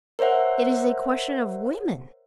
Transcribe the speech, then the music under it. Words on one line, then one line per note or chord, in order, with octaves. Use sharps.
It is a question of women.
A#4 C5 C#5 E5 F#5